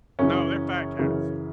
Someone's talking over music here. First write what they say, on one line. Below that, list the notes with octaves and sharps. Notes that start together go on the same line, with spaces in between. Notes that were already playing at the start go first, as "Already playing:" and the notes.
No, they're fat cats.
F#2 C#3 E3 C#4
F#2 C#3 E3